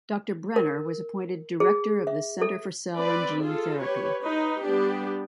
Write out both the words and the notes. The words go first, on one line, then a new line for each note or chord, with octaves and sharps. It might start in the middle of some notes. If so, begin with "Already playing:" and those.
Doctor Brenner was appointed Director of the Center for Cell and Gene Therapy.
A#4
G#4
E5
A4
C4 B4 D5
F4 G#4 A4
G4 B4 C#5
D#4 B4
G3 B3 D4 G4